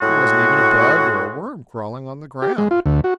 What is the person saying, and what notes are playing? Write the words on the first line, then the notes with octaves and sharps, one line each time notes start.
There wasn't even a bug or a worm crawling on the ground.
A2 G#3 F#4
G4
G#3
F4
D2
F#4